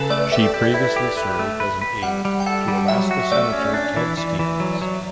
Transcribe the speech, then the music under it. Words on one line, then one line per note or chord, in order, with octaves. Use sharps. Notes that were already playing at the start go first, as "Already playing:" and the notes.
She previously served as an aide to Alaska Senator Ted Stevens.
Already playing: C#3 A4 B4
A3 D5
G4 E5
G4
E4
G4
B4
A3
B4
B4
G3 F#5
G3
G5
A4 F#5
G3
F#3 E5
F#4
A3 D5
C#4
D4
E3
E3
E3
F#3
F#3